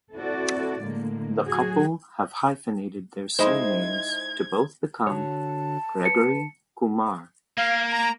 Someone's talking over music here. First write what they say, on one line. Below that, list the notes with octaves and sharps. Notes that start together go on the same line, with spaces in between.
The couple have hyphenated their surnames to both become Gregory-Kumar.
C4 E4 F#4 A4 D5
A2 D3 G#3 A#3
F#3 F#4 G#4
G#3 D#4 E4 C5 D#5 B5 C6 G#6
D3 F#4 C#5 A5
B4 C#7
A#3 F5
A#5